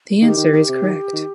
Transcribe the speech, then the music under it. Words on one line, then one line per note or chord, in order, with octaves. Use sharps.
The answer is correct.
D#3 G4
D#3
D#3
C3
D#3
D#3